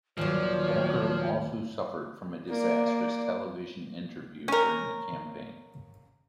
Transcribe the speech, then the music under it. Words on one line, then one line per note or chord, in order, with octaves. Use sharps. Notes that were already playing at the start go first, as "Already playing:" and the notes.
Walker also suffered from a disastrous television interview during the campaign.
D#1 A#2 F3 F#3 C#5 D5
A#3 D5
C#4 A#4